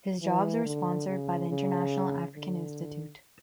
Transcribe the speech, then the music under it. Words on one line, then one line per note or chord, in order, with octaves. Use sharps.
His jobs were sponsored by the International African Institute.
E3
D3
C#3
C#3
D3